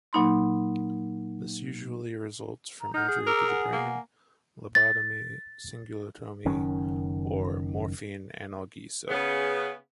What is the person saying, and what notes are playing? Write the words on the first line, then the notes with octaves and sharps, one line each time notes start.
This usually results from injury to the brain, lobotomy, cingulotomy or morphine analgesia.
A#2 F#3 A#3 D#4 B5 C6
A#5
D#4 F#5 F6 G6
G#4
A#4 A#5 D6 E6
F#5 G#5
A#3
A6
F#1 F#2 D#3 C#4
C#3 B3